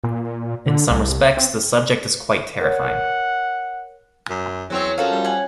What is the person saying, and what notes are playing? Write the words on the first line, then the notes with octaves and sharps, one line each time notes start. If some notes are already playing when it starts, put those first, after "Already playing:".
In some respects, the subject is quite terrifying.
A#2
D3
C2
C4
A#4 C#5 F#5
F#2
E2 F#3 C4 C#5
F#2 F3 C#4 F#4 A4 F5
G3
F#5 G#5